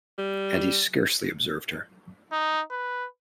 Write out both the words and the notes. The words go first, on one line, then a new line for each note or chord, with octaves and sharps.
And he scarcely observed her.
G3
D#4
B4